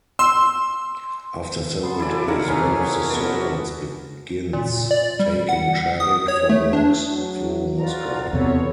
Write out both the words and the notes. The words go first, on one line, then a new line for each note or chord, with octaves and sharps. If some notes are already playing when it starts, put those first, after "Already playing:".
After several days, one of the servants begins taking Sharik for walks through Moscow.
C6 E6
B3 A4 C6
C#3 E3 E4 D5
A#3 D#4 A#4 C#5 F5 F#5
C3 A3 C4 C#4 G#4 F6
A#4
B3 D4 F#4 B4
A#2
D5
G3
F#5
D#6
C#5
A3
D4
F#3
F4 F#4 D5 A#5
E2 C3 B3 A4 C#5